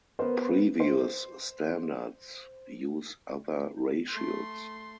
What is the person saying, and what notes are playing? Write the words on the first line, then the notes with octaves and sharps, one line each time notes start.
Previous standards use other ratios.
B3 A#4 C5
C5
A3 C6